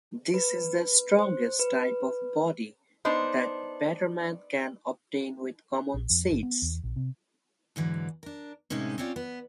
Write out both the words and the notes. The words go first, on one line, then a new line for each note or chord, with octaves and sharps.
This is the strongest type of body that Betterman can obtain with common seeds.
B4
C5
B4
B3 D4 D#4 C5
A#1
F2
G1
B3
E2
A#1
C3
G#2 D3 E3 F#3
D4 A#4
A2 C3 G#3 A#3 C#4 D#4
C4 C#4 F4 C#5 D5
B3